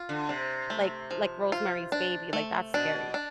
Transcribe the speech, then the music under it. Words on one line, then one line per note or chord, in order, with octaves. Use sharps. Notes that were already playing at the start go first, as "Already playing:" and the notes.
like like, Rosemary's Baby, like, that's scary,
Already playing: F4
D3
C3 D4
A3
F3
F4
D4
A3
B2 D4
D4